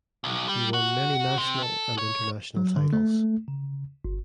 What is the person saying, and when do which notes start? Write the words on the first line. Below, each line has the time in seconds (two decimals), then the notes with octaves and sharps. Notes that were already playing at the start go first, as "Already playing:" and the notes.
He won many national and International titles.
0.24 B1
0.49 G3
0.74 F#4
1.38 C3
1.63 A4
1.98 C#5
2.57 F#3
2.76 D3
2.93 A3
3.48 C#3
4.05 G1